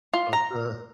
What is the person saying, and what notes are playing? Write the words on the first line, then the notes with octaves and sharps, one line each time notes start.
But the
F4
A#5